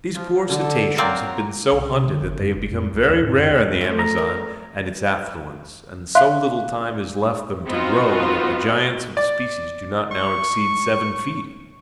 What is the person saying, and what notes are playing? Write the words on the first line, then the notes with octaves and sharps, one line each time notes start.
These poor cetaceans have been so hunted that they have become very rare in the Amazon and its affluents, and so little time is left them to grow that the giants of the species do not now exceed seven feet.
F3
D3 A4
F#3 A#3 C4 D5 A#5
B1
C3
D3
G1
F#2
F#1
F2
C#2
D#2
A2
F#2
D2
F3 A3
A#5
E2 G2 A#4
E5 F5 C6 F#6
B3 C4 D#4 F4 F#4
D5
C#6